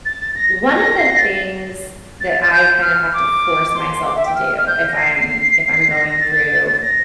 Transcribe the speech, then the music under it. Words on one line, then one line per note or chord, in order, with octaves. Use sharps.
one of the things that I kind of have to force myself to do if I'm if I'm going through
A6
A#6
A#6
A#6
C7
A#6
A6
A6
A6
G6
F6
D6
C6
D6
E5
G5
F6
F6
G6
A#6
C7
C7
A#6
A#6
A6
A#6